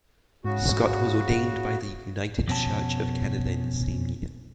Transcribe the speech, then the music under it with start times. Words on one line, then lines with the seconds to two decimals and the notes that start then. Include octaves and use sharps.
Scott was ordained by the United Church of Canada in the same year.
0.45 G#2 C#3 F#4
2.48 F2 B2 C#4 A5